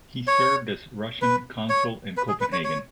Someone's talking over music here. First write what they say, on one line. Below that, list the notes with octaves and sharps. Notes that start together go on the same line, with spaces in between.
He served as Russian consul in Copenhagen.
C#5
B4
C#5
B4
G#4
B4
C#5
C#5